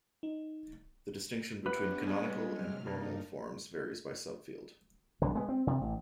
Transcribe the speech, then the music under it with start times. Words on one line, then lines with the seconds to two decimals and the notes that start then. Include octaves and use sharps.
The distinction between "canonical" and "normal" forms varies by subfield.
0.23 D#4
1.66 B3 C#4 D4 G4 B4 E5 F#5
2.07 G3 G#3
2.47 C3 F#3 F6
2.87 G2 A#3 D4 D#4
5.22 B1 D3
5.35 G#3 B3
5.49 C4
5.67 C3
5.82 A1